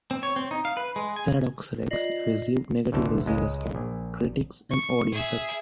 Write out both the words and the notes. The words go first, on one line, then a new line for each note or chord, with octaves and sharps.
"Theodore Rex" received negative reviews from critics and audiences.
C4
C#5
C4
D#4
F5
B4
G#3
G#5
F4 D5 D#5 A#6 C7 F#7
A1 D2 E3 A5
C#2 G#3 D#5
A#1
C#6
G#4 E5